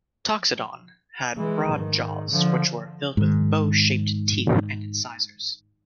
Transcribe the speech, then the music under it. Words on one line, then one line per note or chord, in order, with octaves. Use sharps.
"Toxodon" had broad jaws which were filled with bow shaped teeth and incisors.
E3 G#3
G#2 D#3
D3 F3
G#2 D#3